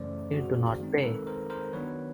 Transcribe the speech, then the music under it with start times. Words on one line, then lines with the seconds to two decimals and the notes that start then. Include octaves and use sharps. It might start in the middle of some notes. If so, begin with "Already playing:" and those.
They do not pay.
Already playing: F#2 C#3 E3 A3 C#4 C5 D5
0.33 F#4 G#4
0.80 D#3 G#3 C4 D#4
0.98 A#4
1.03 A4 B4
1.27 A#4 C5
1.50 A#4 C5
1.73 D#3 F#3 B3 D4 B4 C#5